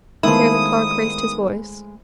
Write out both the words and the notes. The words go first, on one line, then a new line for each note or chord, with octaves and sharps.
Here the Clerk raised his voice.
D#3 F3 G#3 A3 B3 E4 C5 D#6